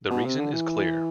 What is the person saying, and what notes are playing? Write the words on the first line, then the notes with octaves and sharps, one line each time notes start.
The reason is clear.
B2
C3
D3
E3